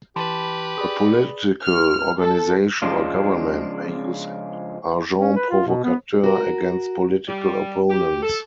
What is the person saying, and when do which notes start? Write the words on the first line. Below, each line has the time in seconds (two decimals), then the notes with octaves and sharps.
A political organization or government may use agents provocateurs against political opponents.
0.16 E3 G4 B4 A5 B5 C6
0.78 G#4 D5 B5 D#6
1.63 F6
2.20 A4
2.82 C#3 F3 G#3 D4 F4
5.19 C#4
5.36 B4
5.50 F4
5.67 B2
5.84 B3
6.23 F#4 A#4
7.28 G3
7.89 G4
8.23 A4